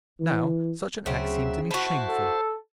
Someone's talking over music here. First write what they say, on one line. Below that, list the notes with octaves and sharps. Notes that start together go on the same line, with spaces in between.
Now, such an act seemed to me shameful.
E3
D2 C#3 F#3 C4 E5
E4 F#4 C5 A5
A4